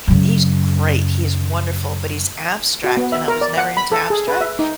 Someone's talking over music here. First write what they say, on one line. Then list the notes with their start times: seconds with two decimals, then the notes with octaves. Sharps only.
he's great, he is wonderful, but he's abstract, and I was never into abstract.
0.07 F#2 C#3
2.84 F#4
2.97 B3
3.12 E5
3.28 A#4
3.41 D5
3.57 F#5
3.77 B5
3.92 A4
4.10 G#4
4.28 B4
4.41 E5
4.59 D#4